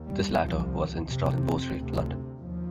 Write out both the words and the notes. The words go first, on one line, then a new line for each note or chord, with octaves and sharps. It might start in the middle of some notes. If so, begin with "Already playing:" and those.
This latter was installed in Bow Street, London.
Already playing: D#2
G3
C2 C3 F3
F2 C3
C4
D2
C3
D#2 F3